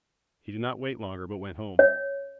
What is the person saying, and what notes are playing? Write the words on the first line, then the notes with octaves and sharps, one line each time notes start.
He did not wait longer but went home.
C#5